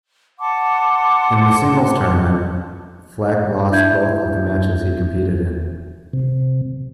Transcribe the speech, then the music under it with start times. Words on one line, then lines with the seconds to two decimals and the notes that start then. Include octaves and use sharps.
In the singles tournament, Flack lost both of the matches he competed in.
0.39 F#5 A5 C6 D6
3.70 D4 E4 E5 G6 G#6
6.13 C3